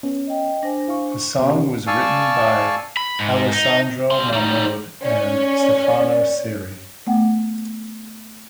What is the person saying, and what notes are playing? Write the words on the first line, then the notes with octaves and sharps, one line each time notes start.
The song was written by Alessandro Mahmoud and Stefano Ceri.
B3 C#4
D#5 G5
D4 C5 G#5 A#6
E4 F5 C#6
C#6
B2 B3 C#4 G4
D5 F5 G#5 A5 C#6 E6
B5
G#2
D#4
G3 C6
G3 D#4
C#4 D5
A3 B3 F#5 G5